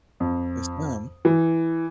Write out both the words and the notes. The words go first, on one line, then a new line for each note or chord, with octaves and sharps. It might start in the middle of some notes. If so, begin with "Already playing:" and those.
Yes, ma'am.
F2
E3